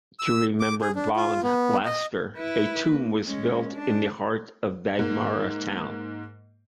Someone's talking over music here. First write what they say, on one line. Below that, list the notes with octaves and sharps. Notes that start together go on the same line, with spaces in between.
To remember Bong Lasker, a tomb was built in the heart of Baghmara town.
E6
D6
G#4
D4
F4
B3
D#5
E4 B4
A#3
G#3 C#4
D4
G#2 A#3